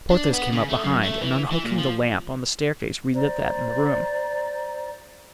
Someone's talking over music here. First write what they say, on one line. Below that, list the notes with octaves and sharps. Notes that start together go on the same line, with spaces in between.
Porthos came up behind, and unhooking the lamp on the staircase relit that in the room.
D4
B3
C#3
A3
F#2
A3
E3
E3
A#2
F3
C5 D5 A#5